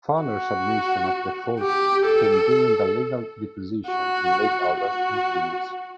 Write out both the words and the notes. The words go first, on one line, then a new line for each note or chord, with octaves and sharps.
Fowler's admission of default came during a legal deposition in late August in Phoenix.
F#4
G4
A4
F#4
F#4